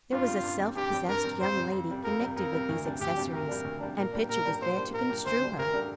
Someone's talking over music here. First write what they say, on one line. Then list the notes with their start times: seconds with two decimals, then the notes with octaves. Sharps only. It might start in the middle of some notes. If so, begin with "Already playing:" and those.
There was a self-possessed young lady connected with these accessories; and Pitcher was there to construe her.
0.11 G2 F4
0.28 G3 C4
0.43 G2
0.60 G3 C4
0.76 G2 G4
0.92 G3 C4
1.08 G2 A#4
1.24 G3 C4
1.40 F2 C5
1.56 C3 G3
1.72 F2
1.89 C3 G3
2.04 F2 A#4
2.20 C3 G3
2.36 F2 A#4
2.52 C3 G3
2.69 D2
2.85 C3 G3 D4
3.01 D2 G4
3.17 C3 G3 D4
3.33 D2 A#4
3.48 C3 G3 D4
3.64 D2
3.81 C3 G3 D4
3.97 A#2 A#4
4.13 G3 A#3 D4
4.29 A#2 A#4
4.45 G3 A#3 D4
4.61 A#2 C5
4.77 G3 A#3 D4
4.93 A#2 A#4
5.09 G3 A#3 D4
5.26 D2 C5
5.42 D3 G3 D4
5.58 D2 A#4
5.74 D3 G3 D4